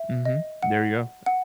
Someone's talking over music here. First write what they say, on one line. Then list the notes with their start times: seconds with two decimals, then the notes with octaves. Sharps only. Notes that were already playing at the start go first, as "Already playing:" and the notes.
Mhm. There you go.
Already playing: E5
0.25 D#5
0.63 F#5
1.26 F#5